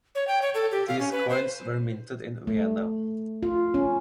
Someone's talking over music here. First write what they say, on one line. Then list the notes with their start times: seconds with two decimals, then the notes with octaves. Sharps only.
These coins were minted in Vienna.
0.15 C#5
0.28 G5
0.42 C#5
0.54 A4
0.71 G4
0.88 F5
0.99 C#4
1.12 B4
1.30 C5
2.47 A3
3.43 F4
3.74 C#4